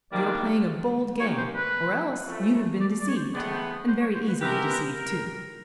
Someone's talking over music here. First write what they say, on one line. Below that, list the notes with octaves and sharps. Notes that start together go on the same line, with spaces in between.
You are playing a bold game or else you have been deceived, and very easily deceived, too.
C3 D#3 G3 A#3 D4 D5
G#3 C4 D#4 G4 A#4 C#5
C5
B4
C#3 F3 A3
D5
D5
C#5
C5
A2 E3 G#3 B3 D5
C5
B4
C5
C#5
C5
B4
G#3 B3 E4 G4 A#4 B4
B4
A#4